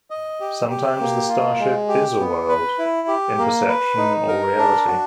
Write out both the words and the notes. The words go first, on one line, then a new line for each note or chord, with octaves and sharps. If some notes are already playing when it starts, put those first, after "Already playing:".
Sometimes the starship "is" a world, in perception or reality.
D#5
G4
G4
A#3
F4
G#3
G4
B3
B4
E4
G4
A#3
B4
D#4
A#4
D4
F#4